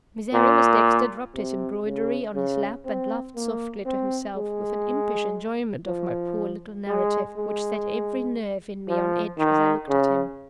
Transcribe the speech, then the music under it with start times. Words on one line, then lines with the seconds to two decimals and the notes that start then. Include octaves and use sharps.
Miserrimus Dexter dropped his embroidery on his lap, and laughed softly to himself, with an impish enjoyment of my poor little narrative, which set every nerve in me on edge as I looked at him.
0.34 A#2
1.34 C3
1.85 C#3
2.35 C#3
2.85 C4
3.35 A#3
3.86 C4
4.36 G#3
5.87 F3
6.87 G#3
7.37 G#3
8.88 F3
9.38 D#3
9.88 C#3